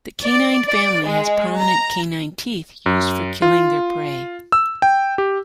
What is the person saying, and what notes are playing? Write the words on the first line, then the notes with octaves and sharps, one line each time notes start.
The canine family has prominent canine teeth, used for killing their prey.
D5
D5
G#3
A#5
F#2
F4
E6
G5
G4